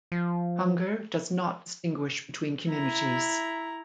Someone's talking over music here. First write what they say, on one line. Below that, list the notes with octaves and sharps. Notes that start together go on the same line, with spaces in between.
Hunger does not distinguish between communities.
F3
E4 A#5